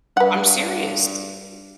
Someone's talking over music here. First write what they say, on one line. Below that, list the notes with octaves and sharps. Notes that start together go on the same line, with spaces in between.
I'm serious.
G2 B4 F#5